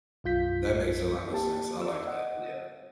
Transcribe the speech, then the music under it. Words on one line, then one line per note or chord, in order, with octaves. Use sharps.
That makes a lot of sense, I like that, yeah.
B1 F#2 F4 G6 B6
A#3 G4 A5
D5 E6
D#5 F#5